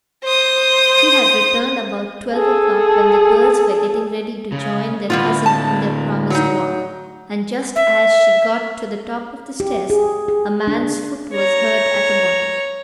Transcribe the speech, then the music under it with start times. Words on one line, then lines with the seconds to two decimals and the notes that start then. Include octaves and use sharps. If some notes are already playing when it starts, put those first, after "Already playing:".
She had returned about twelve o'clock, when the girls were getting ready to join their cousin in their promised walk, and just as she got to the top of the stairs, a man's foot was heard at the bottom.
0.24 C5 D#6
2.34 G#4 A4
4.52 C#3
5.10 A2 D3 G3 B3 F4
5.46 A5
6.30 F#3 D#4
7.76 E5
9.60 G4
9.90 G#4
10.28 G#4
10.67 D4
11.34 C#5 A#5